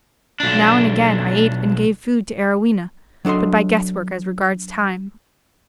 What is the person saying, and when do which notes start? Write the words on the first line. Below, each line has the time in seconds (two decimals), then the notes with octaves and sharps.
Now and again, I ate and gave food to Arowhena, but by guess-work as regards time.
0.40 B1 D4
3.25 F#3 D4 A4 D#5 C6